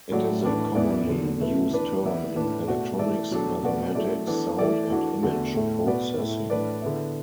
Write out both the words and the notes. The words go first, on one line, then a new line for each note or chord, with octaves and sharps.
It is a commonly used term in electronics, mathematics, sound, and image processing.
A2 F#3 A3 F#4 D5
A2 E3 D4 B4 D5
E2 E3 B3 E4 D5
E2 D3 F#3
B2 A3 E4 B4
E3 D4 B4
E3 B3 E4 D5
A2 E3 D4 B4
B2 A3 F#4 D5
E3 A3 E4 A4 D5
B2 F#3 D4 A4
B2 A3 F#4 B4 D5
F#3 A3 E4 D5
E3 B3 D4 A4
E3 A3 E4 A4 D5
E3 D4 F#4 A4 D5
E2 D3 A3 F#4
A2 A3 E4
B2 B3 F#4 B4 D5
A2 A3 E4
A2 E3 D4 B4 D5
D3 B3 E4